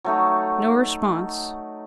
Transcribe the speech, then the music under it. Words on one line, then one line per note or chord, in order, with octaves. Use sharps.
No response.
F#3 A3 D#4